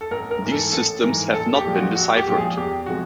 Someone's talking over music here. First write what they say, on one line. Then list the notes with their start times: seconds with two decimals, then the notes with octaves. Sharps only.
These systems have not been deciphered.
0.01 A4
0.11 A1 A#4
0.31 A#4
0.42 G#2 E3
0.52 A4
0.72 A1 A4
1.03 G#2 E3 A#4
1.34 A#1 A4
1.55 G4
1.64 A#2 F3 G#3
1.76 F#4
1.95 A#1 F#4
2.17 G4
2.27 A#2 F3 G#3 G4
2.37 G#4
2.57 E2 G4
2.86 C3 F3 G#3 F#4